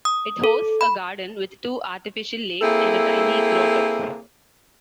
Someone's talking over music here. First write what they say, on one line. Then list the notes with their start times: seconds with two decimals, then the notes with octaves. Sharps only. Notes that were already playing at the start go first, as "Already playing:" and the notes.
It hosts a garden with two artificial lakes and a tiny grotto.
0.05 D#6
0.44 A4
0.81 B5
2.62 A#3 C4 E4 G#4 A4